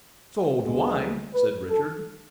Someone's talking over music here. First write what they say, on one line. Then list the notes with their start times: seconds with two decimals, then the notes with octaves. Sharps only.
"So do I," said Richard.
0.63 D2 D3 G#3 B3
1.34 B4
1.71 A4